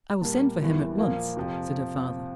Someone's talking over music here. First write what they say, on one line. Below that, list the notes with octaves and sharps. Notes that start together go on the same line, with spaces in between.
"I will send for him at once," said her father.
A#2 G3 A#3 A5
E2 E3 G3 A#3
A#2 F3 A#3
F2 C3 F3